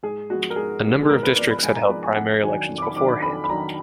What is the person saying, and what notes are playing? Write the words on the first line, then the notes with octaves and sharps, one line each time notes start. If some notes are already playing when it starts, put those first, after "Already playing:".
A number of districts had held primary elections beforehand.
G#2 G#4
F3 G#3 B3 F#4
A#4
G#2 G#4
F3 G#3 B3
G#4
G#2 A#4
B4
F3 G#3 B3 D5
B5
G#2 G#5
A#5
F3 G#3 B3 D5
G#5
F2 F#5
D#3 F#3 D4 G#5
F2
D6
B5
D#3 F#3 D4 D6
B5
F2 B5
B5
D#3 F#3 D4 A#5